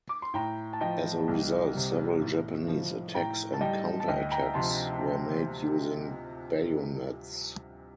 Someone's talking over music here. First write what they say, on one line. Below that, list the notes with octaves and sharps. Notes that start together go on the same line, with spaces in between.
As a result, several Japanese attacks and counterattacks were made using bayonets.
D6
C6
A2 G5 A#5
A5
F3 D#5 G5
C2
C3 G3
A2
F3
A2 G5 A#5
A5
G3 D#5 G5
A5
D2 D#5 G5
G5 A#5
C3 F3 A5 C6